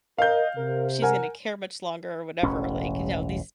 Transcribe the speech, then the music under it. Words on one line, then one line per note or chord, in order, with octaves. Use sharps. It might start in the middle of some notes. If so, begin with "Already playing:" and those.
She's gonna care much longer or whatever, like, you know, these
A#4 D#5 F5 G6
C3 A#4
A#4 F#5 G#5
E1 A1 C#4